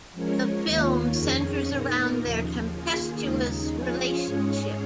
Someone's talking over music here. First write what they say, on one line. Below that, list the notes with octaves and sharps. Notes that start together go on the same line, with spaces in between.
The film centres around their tempestuous relationship.
F3 G#3 C#4 A#4 C#5
D#2 D#3 A#3 F4 C#5
F2 D#3 C#4 G#4 C#5
A#2 A#3 D#4 A#4
D#2 C#3 F3
D#3 A#3 F4 G#4
D#2 C#3 G#3 D#4
F3 C#4 F4 G#4 C#5
G#2 G#3 C#4 G#4 C#5